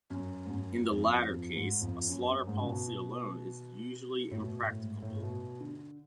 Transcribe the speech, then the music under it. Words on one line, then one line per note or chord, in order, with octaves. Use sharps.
In the latter case, a slaughter policy alone is usually impracticable.
F#2
G#2
F#2
F2
F2
G#2
F2
F#2
F#2
G#2
C#3
B2
A2
B2
A2
G#2
A2
A2
B2
D3